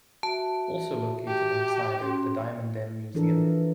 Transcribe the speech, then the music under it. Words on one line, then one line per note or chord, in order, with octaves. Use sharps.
Also located in Snyder is the Diamond M Museum.
F#4 E5 A5
G4
C#4 F#4 C6
E3 F3 D4 A4 A#4